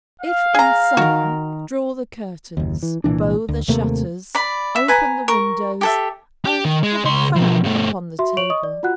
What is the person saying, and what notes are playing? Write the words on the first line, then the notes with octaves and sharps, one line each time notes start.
If in summer, draw the curtains, bow the shutters, open the windows, and have a fan upon the table.
F5
G#4 A#5
D#3 F#4 A#4
F#1 D#2
E3
C2 A#2 E3 D4
D2
D#2 C3 A3 A#3
D5 B5
E5
B4 G#5 A#5
A#4 C#6
G4 A4 E5
G4
D#3
G#3
C#2 C6
B2 F3
G2 A3
F#4 E5 C6
C#5 C#6 D7 F7 F#7
D#5 C#6 D#6
D5
F4 F#4 F#5 F#6